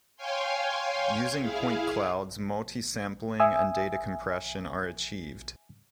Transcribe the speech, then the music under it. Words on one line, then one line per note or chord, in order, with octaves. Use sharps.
Using point clouds multi-sampling and data compression are achieved.
C#5 F5 G5 G#5 C6
E4 G#4 F5
E5 G#5 D#6 E6